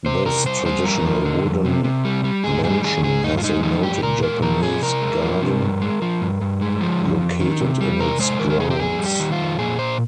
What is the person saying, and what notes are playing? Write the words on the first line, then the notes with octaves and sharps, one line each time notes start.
This traditional wooden mansion has a noted Japanese garden located in its grounds.
C3 C5
C3 A#4
G3 C5
G3 C5
F2 A#4
F3
D3
F2
C3
C3
G3
G3
G#2 G#4
G3 G#4
D#3 G#4
G#2 G#4
G2 D#4
F4
G#3 D#4
F3 D#4
G2 G4
A#2 A#4
G#3 A#4
F3 A#4
A#2 G#4
C3 A#4
G#3
F3
C3
G2
G#3
F3
G2
G2
G#3
F3
G2
F2
D#3
C3
G3
C3 A#4
G#3 C5
D#3 A#4
A#4
C3 G#4
G4
F2 G#4
G3
G4
D#3
F4
F2
A#2 G#4
A#2 C5